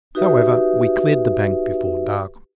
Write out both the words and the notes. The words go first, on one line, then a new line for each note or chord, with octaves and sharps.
However, we cleared the bank before dark.
D#4 F#4 G4 B4 E5